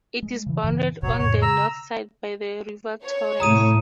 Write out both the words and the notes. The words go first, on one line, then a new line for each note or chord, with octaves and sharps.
It is bounded on the north side by the River Torrens.
G#3
C#3 E3
G2 C#3 E3
E1 A1 B2 F#3 C#5
F2 A2 C#3 C#5
C#3 A#5 E6
C#5
A2 C3 A3 A#5 D#6 D#7